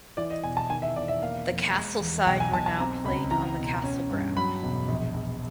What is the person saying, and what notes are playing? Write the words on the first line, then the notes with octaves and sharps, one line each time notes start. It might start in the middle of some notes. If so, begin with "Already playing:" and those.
The Castle side were now playing on the Castle ground.
E3 D5
D#5
E1 G#5
A5
D#3 G#5
E5
E1 D5
E5
A#3 F5
F2
G#3
E2
B1 G5
G#5
B1 A5
A5
C4 A#5
C#2 B5
E3 A#5
E1
C#4
G2
F#3 B5
E1
A#1
A#1